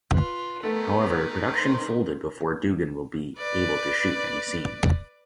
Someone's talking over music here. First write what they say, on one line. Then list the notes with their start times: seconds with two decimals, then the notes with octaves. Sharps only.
However production folded before Dugan would be able to shoot any scenes.
0.14 F4 B4
0.63 D#3 A3 B3 B4
1.57 C5
3.37 B4 D5